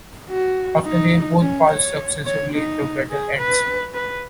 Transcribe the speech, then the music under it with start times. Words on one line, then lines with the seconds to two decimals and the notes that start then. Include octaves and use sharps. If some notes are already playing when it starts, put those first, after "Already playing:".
After they both pass successively the battle ends.
0.30 F#4
0.85 D#4
1.41 C#4
1.69 C#5
2.26 C#5
2.54 D#4
3.10 G#4
3.38 B4
3.94 B4